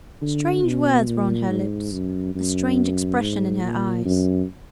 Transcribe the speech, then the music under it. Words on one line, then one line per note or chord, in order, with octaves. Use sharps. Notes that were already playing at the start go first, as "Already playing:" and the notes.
Strange words were on her lips, a strange expression in her eyes.
D3
B2
A#2
G#2
F#2
F#2
G#2
A#2
F#2